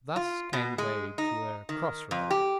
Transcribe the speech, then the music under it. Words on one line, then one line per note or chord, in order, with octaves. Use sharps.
Thus came they to a crossroad.
F4
B2
G#3
D#4
D#3
F2
G4